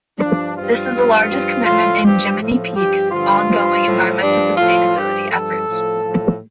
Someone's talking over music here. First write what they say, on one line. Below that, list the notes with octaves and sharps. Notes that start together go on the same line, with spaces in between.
This is the largest commitment in Jiminy Peak's ongoing environmental sustainability efforts.
G2 F3 D4
G2 F3 F4
G2 F3
G2 F3
A2 F3 F4
G2 F3 G4
A2 F3
G2 F3 G4
G2 D3 F3 F4
G2 F3
A2 F3
G2 F3 D4
A2 F3 F4
G2 F3 G4
G2 F3 A4
A2 F3
A2 F3